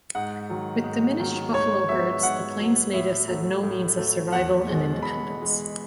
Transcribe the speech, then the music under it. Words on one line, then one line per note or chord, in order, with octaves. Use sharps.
With diminished buffalo herds the Plains Natives had no means of survival and independence.
G#2 F#5
D#3 F#3
G#2
D#3 F#3
G#2 C#5
F#3 B3 E5
G#2 F#5
F#3 B3
A2 E5
F#3 A3
A2
F#3 A3
E2 F#5
B2 G#3
E2 B5
B2
G#3